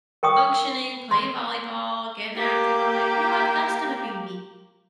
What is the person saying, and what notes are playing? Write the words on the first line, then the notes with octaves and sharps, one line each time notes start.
functioning, playing volleyball, getting active, I'm like, "You know what? That's gonna be me."
A#4 G5 C#6 D#6
C6
A#3 G4